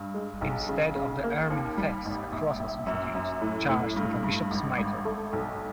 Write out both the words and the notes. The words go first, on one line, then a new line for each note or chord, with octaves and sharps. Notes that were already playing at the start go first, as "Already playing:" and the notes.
Instead of the ermine fess a cross was introduced, charged with a bishop's mitre.
Already playing: G2
G#3
B1
C#3
C#3
A#3
D#2
G3
G#1
A#1
A#1
F#2
F#2
A2
A2
G2
G2
G#1
G#1
A3
B1